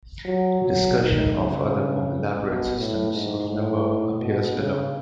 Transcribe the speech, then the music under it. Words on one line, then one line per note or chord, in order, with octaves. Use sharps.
Discussion of other more elaborate systems of number appears below.
F#3
F#3
D#3
C#3
B2
A2
G#2
A2
B2
C#3